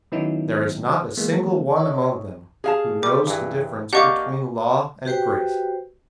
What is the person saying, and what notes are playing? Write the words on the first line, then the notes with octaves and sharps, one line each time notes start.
There is not a single one among them who knows the difference between law and grace.
D#3 F#3 B3 C#4 D#4 E4
E3 G#3 A#3 B3
C#5 D#5 E5
G#4 F5 A5
G3 A3 D6
G2 E3
A#3 D4 G4 D#5 F5 F#5 C#6 D6
F#4 G4 B4 C5 G5